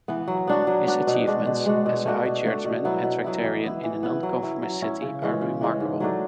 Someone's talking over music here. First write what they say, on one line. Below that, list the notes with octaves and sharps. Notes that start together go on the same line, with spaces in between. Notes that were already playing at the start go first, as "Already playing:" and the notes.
His achievements, as a High Churchman and Tractarian in a non-conformist city are remarkable.
E3 B3
F#3
B3 D4 F#4
F#3
B3 D4 F#4
B2
G#3 D4 F#4
B2
G#3 D4 F#4
B2
A3 D4 F#4
B2
A3 D4 F#4
B2
F#3 B3 E4
B2
F#3 B3 E4
E3
B3 E4
E3
B3 E4
F#3
C#4 E4
F#3
C#4 E4
C#3
E3 G#3 C#4
C#3
E3 G#3 C#4
G#2
F#3 A3 D4